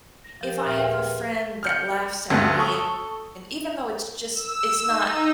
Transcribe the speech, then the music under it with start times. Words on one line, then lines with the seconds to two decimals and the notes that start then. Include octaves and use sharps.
if I have a friend that laughs at me, and even though it's just, it's not
0.24 A#6
0.41 F3 G4 A#4
0.61 D#2 A#2 E5 F6
0.76 G#4 A#4 B4 E5 F5 G5
0.92 C6 F6
1.63 F6 G6 C#7
2.30 D2 G2 D3 A3 B3
2.58 A4 C#6 D#6
4.32 E6
4.86 D#4